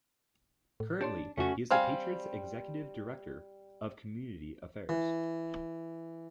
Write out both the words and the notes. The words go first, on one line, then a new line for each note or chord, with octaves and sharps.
Currently, he is the Patriots' executive director of community affairs.
A2
D4 G4 C#5 C6
F2 C#3 A3 C#4 F#4
G3 C4 F5 G#5
E3